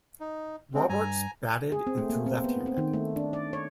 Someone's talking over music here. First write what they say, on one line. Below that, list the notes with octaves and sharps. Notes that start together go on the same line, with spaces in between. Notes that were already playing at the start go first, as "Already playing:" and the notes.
Roberts batted and threw left-handed.
D#4
C3 G#3 C4
G2 G#5 A#5
G#4
C4
A3
A#3
C4
B3
C4
D#3
A3
D4
D5
C#5